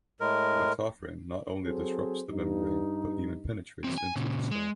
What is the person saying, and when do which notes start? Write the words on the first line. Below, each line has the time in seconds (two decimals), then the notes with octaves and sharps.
Lactoferrin not only disrupts the membrane, but even penetrates into the cell.
0.20 A2 G#3 A#4
1.65 F#3 C4 G#4 A4 C5
2.31 G2 D#4
3.84 E3 F#3 C4
3.98 G#5
4.16 A#2 C#3
4.52 G#3